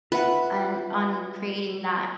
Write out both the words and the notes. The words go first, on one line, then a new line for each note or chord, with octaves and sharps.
an on creating that
F4 B4 E5 F#5